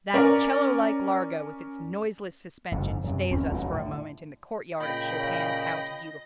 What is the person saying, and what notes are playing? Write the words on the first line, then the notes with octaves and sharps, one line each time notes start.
That 'cello-like largo with its noiseless suspension stays us for a moment in the courtyard of Chopin's House Beautiful.
C#4 A#4 D5
F#1 F2 G#2
F#2 C3
D1 D2 C4 C#4
E1 B1 F#2 A2
A2 D3
A#2 C#3 D#5 G5 B5